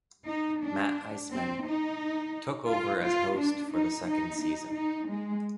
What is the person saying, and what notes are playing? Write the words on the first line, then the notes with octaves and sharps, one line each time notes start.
Matt Iseman took over as host for the second season.
D#4
D4
C4
D#4
F4
F4
D4
D#4
D#4
D#4
D#4
G#3